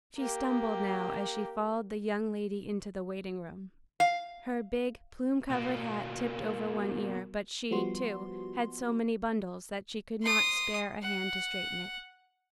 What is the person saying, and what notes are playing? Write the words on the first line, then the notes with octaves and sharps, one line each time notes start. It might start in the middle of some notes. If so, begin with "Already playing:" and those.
She stumbled now as she followed the young lady into the waiting-room. Her big, plume-covered hat tipped over one ear, but she, too, had so many bundles, that she could not spare a hand to straighten it.
A#3 G4
F5
B2 A#3
F3 G3 B3 F#4 C6
C6 D#6
F#5